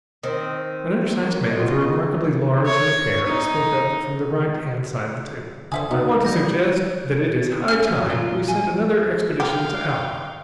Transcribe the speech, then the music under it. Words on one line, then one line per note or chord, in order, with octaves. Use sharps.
An undersized man with a remarkably large head of hair spoke up from the righthand side of the table: "I want to suggest that it is high time we sent another expedition to Alma."
D#3 C4
A#3
B2 F4 D#5
C#5
D#4
D3 C5 E5 G#5 D#6
B2 D#4
G3 B5 G6 A#6
C#4 F6
F#2
A#2 F4
G#5
G4 F5 G5